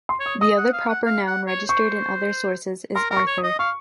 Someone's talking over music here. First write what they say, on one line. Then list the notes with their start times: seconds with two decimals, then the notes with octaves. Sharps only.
The other proper noun registered in other sources is Arthur.
0.09 C6
0.20 C#5
0.26 D#6
0.41 D#5 D#6
0.58 F#5
0.73 F5
0.89 F#5
1.06 F5
1.27 F#5
1.48 C#5
1.68 C5 C#6
2.96 A#4 C6
3.11 A#4
3.16 C#6
3.27 C#5
3.38 D#6
3.44 D#5
3.59 F5 C#6